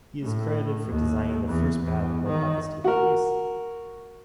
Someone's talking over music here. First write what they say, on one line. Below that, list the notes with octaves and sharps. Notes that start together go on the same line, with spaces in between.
He is credited for designing the first badge worn by the state police.
A2
D#2
E2
E2
D#3
F#4 A#4